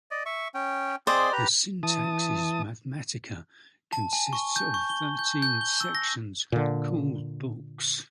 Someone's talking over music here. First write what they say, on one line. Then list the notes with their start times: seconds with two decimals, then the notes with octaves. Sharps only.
The "Syntaxis Mathematica" consists of thirteen sections, called books.
0.11 D5 D#5
0.26 E5 C#6
0.54 C#4 G5
1.07 C4 G#4 C5 D5 D#5 C6
1.33 G4 B4 A#5
1.83 E3 A5 D#6
3.93 A5
4.13 G#5
4.33 C#6
4.56 G6
4.74 C#6
4.89 G7
5.19 G6
5.42 G6
5.61 G7
5.80 E6
5.95 A#6
6.52 A#2 D3